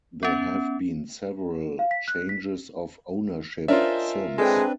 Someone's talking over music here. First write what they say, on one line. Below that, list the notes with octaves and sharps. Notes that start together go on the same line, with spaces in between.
There have been several changes of ownership since.
B3 C#4
F5
B6
F#6
B6
C#4 D4 F4 A#4 C5 D#5 E5
G#3 C4 D4 A4 B4 G5